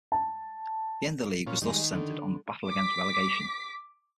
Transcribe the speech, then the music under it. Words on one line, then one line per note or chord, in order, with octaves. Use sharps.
The end of the league was thus centered on the battle against relegation.
A5
A#2 C#4 F4
D#3 G3 G#3 D#5
D3
D6 B6